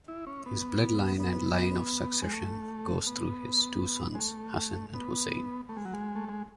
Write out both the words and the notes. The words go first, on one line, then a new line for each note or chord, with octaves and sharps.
His bloodline and line of succession goes through his two sons Hasan and Hussein.
E4
C#4
B3
B3
G#3
A3
B3
G#3
A3
B3
A3
G#3
F#3
G#3
A3
G#3